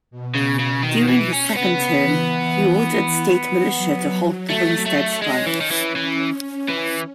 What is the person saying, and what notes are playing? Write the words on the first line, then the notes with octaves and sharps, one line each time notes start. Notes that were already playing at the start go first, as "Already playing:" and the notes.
During his second term, he ordered state militia to halt the Homestead Strike.
B2
C#3
C#3
D#3
E3
C#4
C#3 B3
E3
F#3
A3
A3
G#3 C#4
E3
D#3
E3
E3
E3